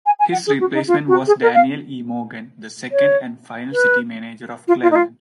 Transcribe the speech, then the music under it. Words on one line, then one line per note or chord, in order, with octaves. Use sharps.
His replacement was Daniel E. Morgan, the second and final city manager of Cleveland.
G#5
G#5
F#5
G#4
F#4
D#4
F4
F#4
G#4
A#4
F5
C#5
B4
F4
F4
D#4
F4